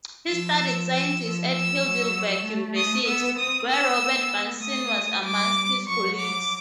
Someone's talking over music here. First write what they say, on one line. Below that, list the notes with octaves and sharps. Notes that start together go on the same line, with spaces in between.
He studied sciences at Heidelberg University, where Robert Bunsen was amongst his colleagues.
F3 E6
E6
F3
E6
F#3
A3
D#6
B3 E6
C4 D#6
E6
B3
A3 D#6
G3 D6
F#3 C#6
D6